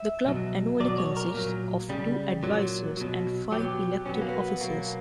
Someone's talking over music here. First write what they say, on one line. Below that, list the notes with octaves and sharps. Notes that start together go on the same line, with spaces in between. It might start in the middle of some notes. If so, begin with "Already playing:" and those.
The club annually consists of two advisers and five elected officers.
Already playing: E5
B2 F#3
B2 F#3 D5
C#5
A#4
A#2 F#3
C#3 G3
A#2 F#3
B2 F#3
B2 F#3 G4
B2 F#3 C#4
B3
A#3
B3
B2 F#3 A#3